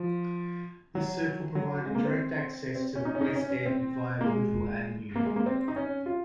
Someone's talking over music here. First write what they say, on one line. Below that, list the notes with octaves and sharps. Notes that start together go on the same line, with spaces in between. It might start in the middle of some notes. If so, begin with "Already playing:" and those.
This circle provided direct access to the West End via Woodville Avenue.
Already playing: F3
F#3
F#3
G#3
A#3
C4
C4
C#4
D#4
C#4
D#4
C#4
C#4
C4
A#3
G#3
A#3
G#3
A#3
C4
D#4
C#4
F4